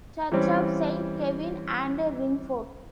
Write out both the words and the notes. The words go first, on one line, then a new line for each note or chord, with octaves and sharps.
Church of Saint Kevin and ringfort.
E3 G3 C4 C#4